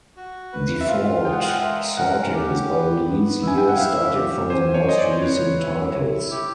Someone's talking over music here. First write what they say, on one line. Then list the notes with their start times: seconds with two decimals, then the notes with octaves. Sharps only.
Default sorting is by release year, starting from the most recent titles.
0.17 F#4
0.53 B4
0.81 E5
0.88 F4 F5
1.24 G#3 G5
1.33 F#5
1.41 F5
1.49 F#5
1.61 A#4 E5
1.97 C#4 F#5
2.33 G4
2.69 B3
3.06 B3
3.42 E4
3.48 G#5
3.58 G5
3.68 F#5
3.77 E5 F5
4.14 G4
4.50 C5 G#5
4.74 C#5
4.87 C5 D#5
4.98 D5
5.22 B4 C#5
5.58 E4
5.95 E4
6.31 G4